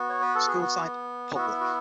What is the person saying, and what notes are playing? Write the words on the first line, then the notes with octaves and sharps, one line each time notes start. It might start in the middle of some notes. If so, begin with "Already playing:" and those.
School type: Public.
Already playing: B3 F#4
C#5
B4
A4
G#4
F#4
B3 E4 F#4
F#4